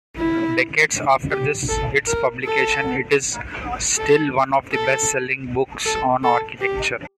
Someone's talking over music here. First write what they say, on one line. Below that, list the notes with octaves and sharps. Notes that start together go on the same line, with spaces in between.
Decades after its publication, it is still one of the best-selling books on architecture.
E4
G4
A4
A#4
A4
A4
A4
A4
A4
G4